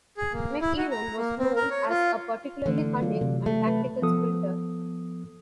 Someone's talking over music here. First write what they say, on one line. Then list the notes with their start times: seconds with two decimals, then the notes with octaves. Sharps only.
McEwen was known as a particularly cunning and tactical sprinter.
0.17 G#4
0.33 A#3
0.61 E4
0.77 F#4
0.91 A#5
1.17 A#3
1.39 C4
1.56 A#4
1.70 C#5
1.89 F4
2.66 D3 E3 A3
3.01 F#3 F4
3.21 C3
3.46 A3
3.67 B4
4.02 F3 B3 A4 D#6